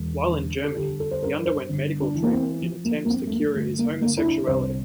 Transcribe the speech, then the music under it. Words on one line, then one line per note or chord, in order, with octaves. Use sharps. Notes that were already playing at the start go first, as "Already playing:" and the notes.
While in Germany, he underwent medical treatment in attempts to cure his homosexuality.
Already playing: E1
D3
A4
G1 G4
A4
C5
G2 A#4
C5
G1
D4
E3
A#3
C4
F3
A#3
A#3
G2 C4
A3
A#3
G1 A3
A#3
D3 A#3
E4
D4
C2 C5